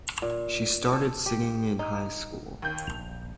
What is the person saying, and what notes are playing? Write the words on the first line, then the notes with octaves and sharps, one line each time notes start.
She started singing in high school.
A#2
A4
G4
D#4
D#2 G6
A#1 F7